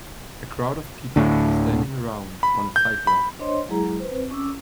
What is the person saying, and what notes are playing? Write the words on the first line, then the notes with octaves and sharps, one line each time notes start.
A crowd of people are standing around on a sidewalk.
D2 A2 D3
B5
G6
B5
D4 C5 C#5 D#5 C6
F#3 G#3 E4 G#4 A#5
B4 C5
C4
C#4 D6 E6